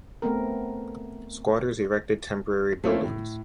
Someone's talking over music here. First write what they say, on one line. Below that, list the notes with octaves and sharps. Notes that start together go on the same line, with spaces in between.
Squatters erected temporary buildings.
A3 B3 C4 A#4
A3 A#3 C4 C#4 E4
A2